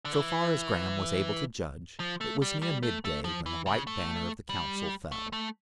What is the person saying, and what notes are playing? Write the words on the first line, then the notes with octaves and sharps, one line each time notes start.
So far as Graham was able to judge, it was near midday when the white banner of the Council fell.
D3
E3
F3
A3
G3
G3
A3
A3
F3
E3
C#3
A3
G3
A3
A3